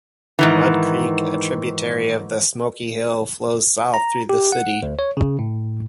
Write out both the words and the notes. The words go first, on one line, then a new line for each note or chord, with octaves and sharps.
Mud Creek, a tributary of the Smoky Hill, flows south through the city.
G#2 D#3 E3
A#5
G4
F#5
D2
C#5
C#3
A2